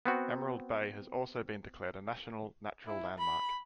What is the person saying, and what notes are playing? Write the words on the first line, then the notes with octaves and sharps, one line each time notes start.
Emerald Bay has also been declared a National Natural Landmark.
B3 C4 F#4
E4
B5